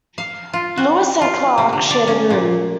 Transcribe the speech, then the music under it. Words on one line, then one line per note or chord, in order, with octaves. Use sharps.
Lewis and Clark shared a room.
F5
F4
F#4
F4
C3
D3
D5
C#4
A#2